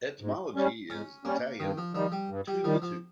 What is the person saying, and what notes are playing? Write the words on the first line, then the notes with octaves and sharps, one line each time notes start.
The etymology is Italian "to the tooth".
G#2
G3 C#4
G#2 C#4
G3 A#3 C#4
G2 D#3
F3
D#3 F3 G3
G3
G2
G3
D#3 F3 G3
F3